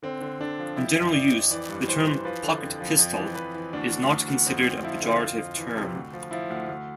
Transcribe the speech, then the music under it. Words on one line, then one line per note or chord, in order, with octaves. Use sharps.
In general use, the term pocket pistol is not considered a pejorative term.
D3 C4
D3
D3 D4
F3
F2 E4
F2
F2 D5
F2
E3 D5
G2
E3 C5
E3
F3 B4
D3
F2
F3
F2
E3
F2 B4
E3
D2 D4
D2
D2
D2
F2 C4
F2
F3 E4
D3
F2 F4
F2
E3
C3
D2
F3
F3 E4
D2
D2